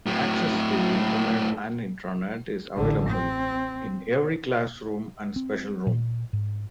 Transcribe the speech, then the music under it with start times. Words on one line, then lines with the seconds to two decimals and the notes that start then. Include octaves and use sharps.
Access to the Internet and Intranet is available in every classroom and special room.
0.06 A2 F#3
2.77 A1 D3
3.09 C4
5.36 C4
5.87 A#2
6.33 G#2